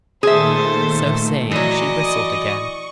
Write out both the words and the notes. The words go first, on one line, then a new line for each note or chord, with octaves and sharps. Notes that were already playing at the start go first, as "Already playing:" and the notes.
So saying, she whistled again.
A#2 D#3 A3 G#4 A4 C5 E5
E3 F#3 D5 D#5 C#6